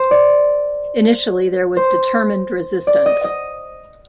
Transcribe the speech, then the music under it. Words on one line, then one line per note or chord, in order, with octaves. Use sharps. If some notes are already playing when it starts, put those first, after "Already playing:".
Initially there was determined resistance.
Already playing: C5
D5
C5
D5
D#5
D#5